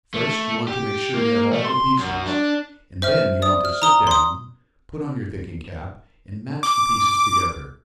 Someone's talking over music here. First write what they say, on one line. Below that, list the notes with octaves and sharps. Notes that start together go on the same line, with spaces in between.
First, you want to make sure you have all the pieces, and then you want to sit down, put on your thinking-cap, and match the pieces together.
A3
G4
A#3
A3
C6
F#2
D4
C5 E5 F6
D5 D#6
F6
A#5 D#6 G7
C6 D#6
D6